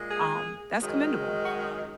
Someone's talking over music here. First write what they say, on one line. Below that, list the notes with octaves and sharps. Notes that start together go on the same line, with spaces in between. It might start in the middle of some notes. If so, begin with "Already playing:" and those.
um, that's commendable
Already playing: A#2 G#3
G#4
F#2 D#3 G#3
F#4